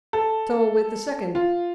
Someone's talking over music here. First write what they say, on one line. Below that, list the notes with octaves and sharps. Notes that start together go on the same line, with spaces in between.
So with the second.
A4
F4